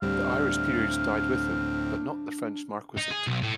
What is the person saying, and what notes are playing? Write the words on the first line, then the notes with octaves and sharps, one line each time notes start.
The Irish peerage died with him, but not the French marquisate.
D2 A2 G3 C4 D4 F5
D#4
G#4
B1
A2